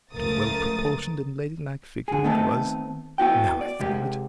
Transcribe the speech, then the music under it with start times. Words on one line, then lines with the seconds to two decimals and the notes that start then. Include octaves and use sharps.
What a well-proportioned and ladylike figure it was, now I think of it!
0.13 C#2 F3 A3 A#4 D#6 A6
2.08 D3 G#4
2.24 D#3 A3 B3 C4 D#4 A4
3.18 B3 E4 F#4 G5
3.61 D5
3.80 C3 G#3 G4